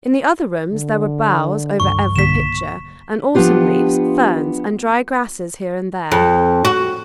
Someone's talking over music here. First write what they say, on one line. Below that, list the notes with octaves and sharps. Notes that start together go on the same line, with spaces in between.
In the other rooms there were boughs over every picture, and autumn leaves, ferns, and dried grasses here and there.
D3
C#2 G2 E3 C#6
B1 D3 A#3 B6 E7
F3 B3 D4 F4 G4
F2
F#4